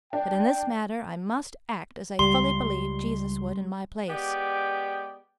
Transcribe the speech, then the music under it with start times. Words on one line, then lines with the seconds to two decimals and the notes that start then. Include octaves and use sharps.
But in this matter I must act as I fully believe Jesus would in my place.
0.13 D4 G5
2.19 C#2 G3 C6
4.09 G#3 B3 G4 D5 G5